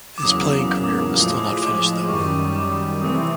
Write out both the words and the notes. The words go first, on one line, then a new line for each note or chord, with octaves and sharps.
His playing career was still not finished though.
D6
E2 C#3 F#3 A#3 D#6
D6
D6
A2 F3 G#3 D#6
D6
F#2 D#3 G3 C#6
D6
C3 E3 A3 C4 D#6